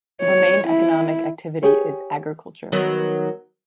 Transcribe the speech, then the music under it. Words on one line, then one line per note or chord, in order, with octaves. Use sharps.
The main economic activity is agriculture.
C#5
E4
G4 G#4 C#5
D#3 F#3 B3